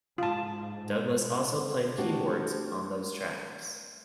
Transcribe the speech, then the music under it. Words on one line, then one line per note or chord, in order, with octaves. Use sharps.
Douglas also played keyboards on those tracks.
G#2 F4 A5
A3 D4 F#4 G4